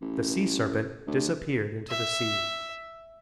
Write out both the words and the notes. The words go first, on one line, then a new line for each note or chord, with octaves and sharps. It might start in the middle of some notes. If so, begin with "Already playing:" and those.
The sea serpent disappeared into the sea.
A1
D2
E5